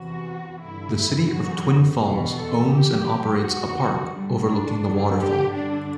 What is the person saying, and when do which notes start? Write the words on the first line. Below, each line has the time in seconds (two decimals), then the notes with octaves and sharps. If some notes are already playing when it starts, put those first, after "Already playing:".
The City of Twin Falls owns and operates a park overlooking the waterfall.
Already playing: E2 C3 E3 F#4
0.62 G2 D3 E4
1.32 F#2 E3 F#4
2.02 E2 B2
2.37 A4
2.72 F#2 E3 G4
3.43 E2 B2 F#4
4.13 G2 D3 G3
4.48 D4
4.84 G2 D3
5.19 G4
5.53 G2 D3 D4